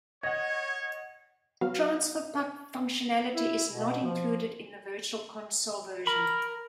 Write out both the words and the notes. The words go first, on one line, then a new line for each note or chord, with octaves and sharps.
Transfer Pak functionality is not included in the Virtual Console version.
C#5 D#5 F#5 G#6
F#3 B3 F#4 F5
E4
B2
F3
A#4 B5